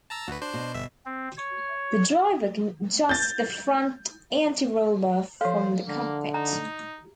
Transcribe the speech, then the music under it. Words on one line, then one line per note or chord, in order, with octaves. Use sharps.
The driver can adjust the front anti-roll bar from the cockpit.
A5 A#5 E6
D2 F#4 B4
D4 C5 C6
B2
G1 E5
C4
C#5
G6 A6
F3 A4 C5 F5
D3 A#3
D#4 A#5